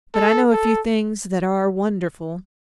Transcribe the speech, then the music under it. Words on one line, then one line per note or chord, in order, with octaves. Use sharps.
But I know a few things that are wonderful.
A4
A4